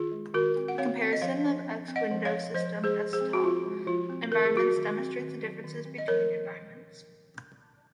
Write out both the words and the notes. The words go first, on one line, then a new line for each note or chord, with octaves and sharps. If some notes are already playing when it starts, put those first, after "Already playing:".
A comparison of X Window System desktop environments demonstrates the differences between environments.
Already playing: D#3 F4 G#4
G#3
D#3 F#4 A#4
C4
F#5
C4 C#5 F5
C4
D#5
F3 C#5 F5
F3
C4
C4
D#5 F#5
F3
C#5 F5
F3
F3 C5 D#5
G#3
G#4 C5
F3
G#4 C5
C4
F#4
F3 F4
G#3
F3 F4
C4
D#3 A#4
G#4
F#3 F#4 A#4
D#3
C4
D#3
F#3
D#3
C4
D#5
F3 A#4 C#5